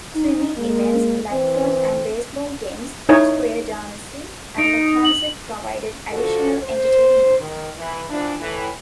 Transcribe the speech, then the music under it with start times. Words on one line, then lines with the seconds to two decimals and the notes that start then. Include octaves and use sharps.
Swimming events, lacrosse and baseball games, square dancing, and a concert provided additional entertainment.
0.15 D#4
0.57 G#3 A#3
1.31 E3 C4
3.09 D#4 E4 C#5 G#5
4.58 D#4 D7
5.05 F#7
6.11 D3 F3 F#4 A4
6.63 C5
7.38 D#3
7.77 E3
8.10 E3 F3 B3 D4
8.39 A2 E3